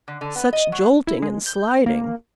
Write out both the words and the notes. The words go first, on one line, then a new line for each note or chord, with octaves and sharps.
Such jolting and sliding!
D3
D3
B3
D#5
F#3
E4
G#3
G6
A#3